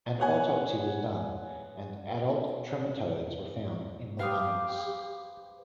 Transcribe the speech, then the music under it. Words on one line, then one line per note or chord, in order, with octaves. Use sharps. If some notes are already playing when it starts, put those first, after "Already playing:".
An autopsy was done and adult trematodes were found in the lungs.
B3 C#5 F#5 G#5
G4 B4 C5 F5 D#6